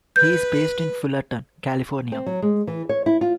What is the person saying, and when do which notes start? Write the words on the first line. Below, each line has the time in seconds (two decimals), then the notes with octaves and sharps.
He is based in Fullerton, California.
0.16 B4 G6
2.12 C4
2.26 F#3
2.42 G#3
2.67 E3
2.89 C#5
3.06 E4
3.21 F4